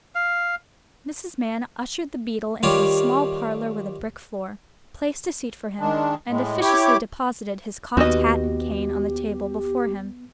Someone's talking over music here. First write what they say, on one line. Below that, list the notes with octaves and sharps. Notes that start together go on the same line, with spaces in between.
Mrs. Mann ushered the beadle into a small parlour with a brick floor; placed a seat for him; and officiously deposited his cocked hat and cane on the table before him.
F5
D#3 G3 F4 G4 C#5
D#3 G#3 D4
A2 G#3
E4 G4 C#5 D6
D#2 B3 F#4 G4 B4 D#5